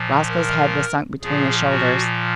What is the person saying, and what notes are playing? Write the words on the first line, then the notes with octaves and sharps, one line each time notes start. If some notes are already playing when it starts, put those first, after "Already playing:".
Roscoe's head was sunk between his shoulders.
Already playing: A#2 F3
A#4
A#2 F3 G#4
F#4